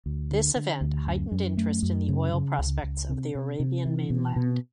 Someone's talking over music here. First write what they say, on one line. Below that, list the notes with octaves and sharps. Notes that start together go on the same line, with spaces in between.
This event heightened interest in the oil prospects of the Arabian mainland.
D2
D3
D3
D2
F#2
F#2
A3
F#2
C#3
C#3
C#2
C#2
C3
C3
C3
E3
B2
B2